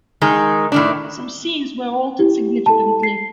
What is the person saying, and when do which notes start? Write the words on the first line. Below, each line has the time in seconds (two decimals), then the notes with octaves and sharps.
Some scenes were altered significantly.
0.21 D#3 G#3 D#4
0.72 A2 D#3 D4
2.19 E4 G4
2.66 A4 A5
3.03 C7